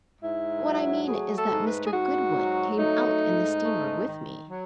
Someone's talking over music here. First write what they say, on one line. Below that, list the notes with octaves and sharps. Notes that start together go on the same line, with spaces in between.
"What I mean is that Mr. Goodwood came out in the steamer with me."
G#2 E4
F#3
A3 G#4
A4
G#2
B4
G#4
G#2 F#4
F#3
A3 D#4
G#2
A3
D#3
F#3